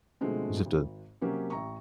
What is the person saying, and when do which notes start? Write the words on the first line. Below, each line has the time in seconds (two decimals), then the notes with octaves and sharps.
You just have to
0.21 B2 D3 F3 G#3 A3 C4
0.65 G#1
1.21 C3 F#3 A#3 C#4 G4
1.50 A1 A#5 C#6